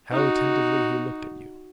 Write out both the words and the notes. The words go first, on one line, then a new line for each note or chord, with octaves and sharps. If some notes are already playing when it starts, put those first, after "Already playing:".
"How attentively he looked at you."
D#4 F#4